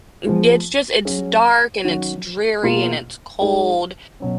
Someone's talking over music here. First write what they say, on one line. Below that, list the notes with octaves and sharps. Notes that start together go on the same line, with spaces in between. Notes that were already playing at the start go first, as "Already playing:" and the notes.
N yeah, it's just it's dark, and it's dreary, and it's cold.
F3 B3 F4 G#4
F#3 C#4 G#4
D#3 F#3 C#4 F#4
B2 A#3 F4 G#4
G#3 D#4 G#4
B2 F#3 C#4